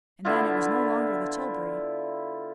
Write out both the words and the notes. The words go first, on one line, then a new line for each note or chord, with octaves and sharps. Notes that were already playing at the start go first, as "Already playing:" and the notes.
And then, it was no longer the tilbury.
D3 B3 E4 F4